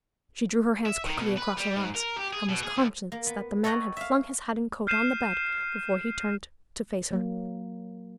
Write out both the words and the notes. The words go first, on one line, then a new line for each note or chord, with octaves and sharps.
She drew her hands quickly across her eyes, and was conscious that the man had flung his hat and coat on the bed before he turned to face her.
E5
D#3
B2
B4
G3
G#2
A#4
G4
G#4
B2
G#4
C#2
A#3
B3
A4 C#5 D#5 F#5 G5 A#5
E5 F5
F6 G6 C7 D#7 E7
F#3 A#3